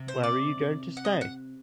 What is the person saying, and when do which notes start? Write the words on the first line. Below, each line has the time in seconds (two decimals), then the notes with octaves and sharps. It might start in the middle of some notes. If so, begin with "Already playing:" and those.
Where are you going to stay?
Already playing: C3
0.08 C5
0.23 D5
0.97 F#5
1.05 D#5
1.21 F#5